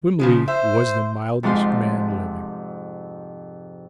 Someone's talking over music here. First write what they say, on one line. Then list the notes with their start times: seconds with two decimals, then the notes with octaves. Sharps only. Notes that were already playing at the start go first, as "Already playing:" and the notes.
Wimley was the mildest man living.
0.19 C#3 F3 G#3
0.48 C5 E5
1.43 F2 G#2 C3 G#3 F4 C6